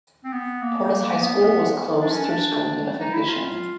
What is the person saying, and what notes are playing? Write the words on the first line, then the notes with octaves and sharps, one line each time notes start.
Portis High School was closed through school unification.
C4
B3
A#3
A#3
B3
D4
C#4
D4
D#4
E4
F4